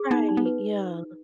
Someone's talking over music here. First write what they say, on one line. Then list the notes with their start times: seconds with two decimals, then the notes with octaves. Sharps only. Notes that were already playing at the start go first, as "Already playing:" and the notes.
Right, yeah.
Already playing: G#4
0.11 B3 D#4
0.28 D#4
0.37 B3
0.46 B4